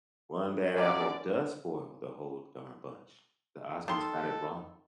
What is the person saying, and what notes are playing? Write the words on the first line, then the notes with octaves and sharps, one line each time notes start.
One bad apple does spoil the whole darn bunch. The Osmonds got it wrong.
F#2 D5
D#3 A4 C6